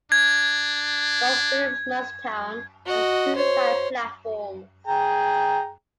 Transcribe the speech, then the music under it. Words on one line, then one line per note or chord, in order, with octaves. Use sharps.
North Willimastown has two side platforms.
D4 G#6
F#4 D#5
C5 C#5
G#4 G5 A#5